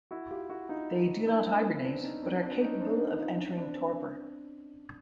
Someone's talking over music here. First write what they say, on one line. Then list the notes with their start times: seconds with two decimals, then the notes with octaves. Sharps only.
They do not hibernate, but are capable of entering torpor.
0.11 E4 F#4
0.31 F4 G4
0.49 E4 F#4
0.69 D#4 F4
1.27 D4 E4
1.46 C4 D4
1.65 B3 C#4
1.85 C4 D4
2.04 C#4 D#4
2.23 C4 D4
2.42 C4 D4
2.61 C#4 D#4
2.80 C4 D4
3.00 C#4 D#4
3.19 D#4 F4
3.38 C#4 D#4
3.57 C4 D4
3.76 C4 D4